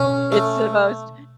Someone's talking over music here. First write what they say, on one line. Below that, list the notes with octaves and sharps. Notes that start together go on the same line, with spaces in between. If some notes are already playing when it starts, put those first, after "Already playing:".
It's the most
Already playing: B2 C#4
A3